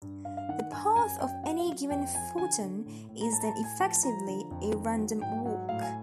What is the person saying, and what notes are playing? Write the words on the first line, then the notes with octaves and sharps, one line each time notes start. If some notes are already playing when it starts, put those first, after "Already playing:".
The path of any given photon is then effectively a random walk.
G2
G2 F5
F5
D#3 F#5
G2 G#5
F#2 G#5
F#2 G5
F#3 F#5
F5
F#3
F2 G5
F3 G#5
D3 G#5
D3
A2
A2
A#5
A2 A5
A#5
A5
A2
G#5
F3 A5
F3 A#5
D3
F2
D#3
F#3
G#2 G5
F#3 F#5
A2 F5
G#5